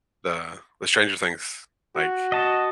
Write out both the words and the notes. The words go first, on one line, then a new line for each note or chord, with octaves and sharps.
the the Stranger Things, like,
F#4
D#5 A5